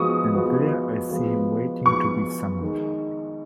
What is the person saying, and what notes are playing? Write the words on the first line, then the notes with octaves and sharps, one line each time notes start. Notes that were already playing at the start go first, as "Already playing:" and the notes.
And there I see him waiting to be summoned.
Already playing: F3 G#3 B3 F#4 C#6 D#6
F3 G#3 B3 F#4
F3 G#3 B3 F#4
F3 G#3 B3 F#4 C#6
D#3 G#3 D#4